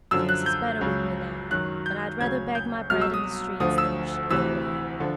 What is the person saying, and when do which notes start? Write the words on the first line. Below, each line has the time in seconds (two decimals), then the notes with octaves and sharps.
Things is better with me now, but I'd rather beg my bread in the streets than you should go away.
0.11 F#2 D3 F3 E6
0.29 F#6
0.46 G6
0.81 C#2 C#3 F#3
1.50 F#2 D#3 F#3 F#6
1.86 G6
2.20 D2 C#3 F#3 G#6
2.55 G6
2.90 C2 B2 F#3 F6
3.01 E6
3.14 D#6
3.60 D2 D3 F3 D#6
3.78 E6
4.31 D2 C3 E3 E6
5.00 D3 F3